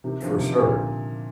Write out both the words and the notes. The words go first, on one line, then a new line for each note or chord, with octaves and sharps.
For sure.
C3 D#3
D3 F3
C3 D#3
A#2 D3